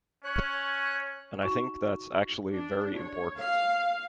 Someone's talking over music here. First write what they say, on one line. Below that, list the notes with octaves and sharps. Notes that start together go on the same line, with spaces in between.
And I think that's actually very important.
C#4 C#5 F#6
D#4 F#4 C#6 E7
D4
C#5
F5